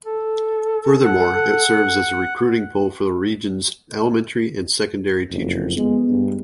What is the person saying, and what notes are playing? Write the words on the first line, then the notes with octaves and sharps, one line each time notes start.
Furthermore, it serves as a recruiting pool for the region's elementary and secondary teachers.
A4
F#5
F#1 F2
G#3 B3
G2